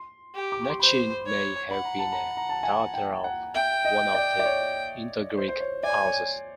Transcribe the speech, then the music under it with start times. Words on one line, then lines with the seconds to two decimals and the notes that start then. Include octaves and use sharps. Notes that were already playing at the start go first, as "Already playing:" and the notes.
Machene may have been a daughter of one of the Indo-Greek houses.
Already playing: C6
0.34 G4
0.52 D6
0.61 C#6
0.70 C6
0.80 C5 B5
1.26 C#5
1.71 F#5 B5
1.85 A#5
1.99 A5
2.12 A#5
2.37 A#5
2.49 A5
2.63 G#5
2.94 G5
3.24 F#5
3.54 E5 G5
3.85 D#5
4.15 D5
4.39 D5
4.46 C#5
5.38 C5
5.48 C5
5.60 C#5
5.83 D5 G#5
6.06 C#5